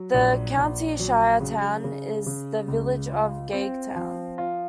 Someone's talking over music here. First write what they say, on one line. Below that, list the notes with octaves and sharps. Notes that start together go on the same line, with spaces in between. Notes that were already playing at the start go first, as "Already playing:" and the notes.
The county shire town is the village of Gagetown.
Already playing: F#3
A#1
A#1
F#3
C#3
C#3
C#3
C#2
F4
C4
F3
F4